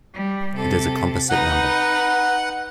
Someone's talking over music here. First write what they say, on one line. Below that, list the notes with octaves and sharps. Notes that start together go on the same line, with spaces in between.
It is a composite number.
G3
C3 A4
D#4 B4 F#5